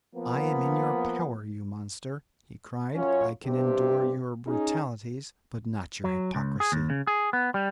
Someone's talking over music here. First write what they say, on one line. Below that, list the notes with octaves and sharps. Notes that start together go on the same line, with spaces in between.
"I am in your power, you monster!" he cried; "I can endure your brutalities, but not your hypocrisy."
F3 A#3 B3
F#2 C#4 F4 C#5
G2 C3 C4 G4
C#4 D#4 G#4
F#3
C#2
G#4
D#2
C#3
G#4
B3
G3